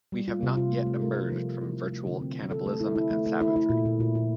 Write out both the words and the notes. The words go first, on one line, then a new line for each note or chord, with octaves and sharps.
We have not yet emerged from virtual cannibalism and savagery.
G3
F4
C3
F4
A3
A3
A#4
A3
F3
F3
E4
E4
A3
D3
C4
C4
A4
A3
E4
E4
A3
A3
E4
E4
A#2
A#2
A#2
A#2